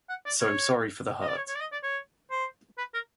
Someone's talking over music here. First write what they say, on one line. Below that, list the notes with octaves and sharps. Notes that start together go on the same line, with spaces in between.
So I'm sorry for the hurt.
F#5
D5
C#5
D#5
D5
C#5
C#5
D5
D#5
D5
C#5
C5
B4
A#4